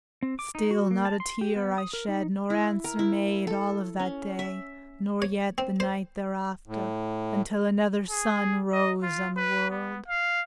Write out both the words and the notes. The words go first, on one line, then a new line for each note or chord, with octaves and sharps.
Still not a tear I shed, nor answer made All of that day, nor yet the night thereafter, Until another sun rose on the world.
C4
D6
D#4
F#4
A#3
A5
C6
G4
B3
D#6
A#4
D#4
E4
A#4
E4
A4
C#4
E5
C#5
C4
C5
A2
G#4
D#5
F4
B4
B3
F5